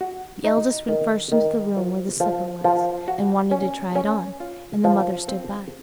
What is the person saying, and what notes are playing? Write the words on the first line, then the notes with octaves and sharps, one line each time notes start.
The eldest went first into the room where the slipper was, and wanted to try it on, and the mother stood by.
F#4
D#4
D#3
D#3
F3
F3
F3
F#4
C#4
C#4
F4
F3
C4